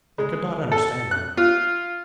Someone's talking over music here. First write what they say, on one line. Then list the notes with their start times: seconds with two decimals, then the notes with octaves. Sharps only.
They could not understand him.
0.18 G#3
0.72 A4
1.11 F#6
1.37 F4